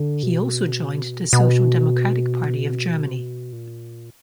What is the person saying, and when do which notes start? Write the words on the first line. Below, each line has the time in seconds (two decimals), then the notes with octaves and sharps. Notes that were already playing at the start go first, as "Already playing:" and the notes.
He also joined the Social Democratic Party of Germany.
Already playing: D3
0.23 B2
1.33 B2
3.52 A#2